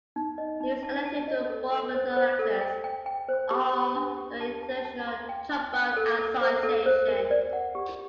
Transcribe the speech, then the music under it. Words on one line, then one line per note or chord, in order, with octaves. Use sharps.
He was elected to the Board of Directors of the International Trombone Association.
D#4
D#5
D#4
A5
A5
D#5
A4
A4
C5
C5
A4
G5
G5
G5
C5
G4
G4
D4
G4
A5
A5
A5
C6
G5
C6
G5
A4
A4
C5
A4
C5
A#4
D5
F#5
G4